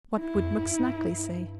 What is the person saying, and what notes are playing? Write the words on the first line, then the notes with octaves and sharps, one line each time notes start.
What would McSnagley say?
E4
F2
G2
G2